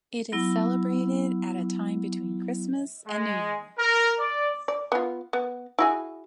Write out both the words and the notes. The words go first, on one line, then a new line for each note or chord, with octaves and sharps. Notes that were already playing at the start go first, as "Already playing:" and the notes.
It is celebrated at a time between Christmas and New Year.
F#3 B3 E4
G#3
A#4
D5
D5
B3 F4
B3
E4 F#4 G#4